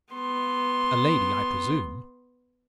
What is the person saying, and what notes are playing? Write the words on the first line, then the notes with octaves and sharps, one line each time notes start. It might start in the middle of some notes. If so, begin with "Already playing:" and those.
A lady, I presume.
B3 C6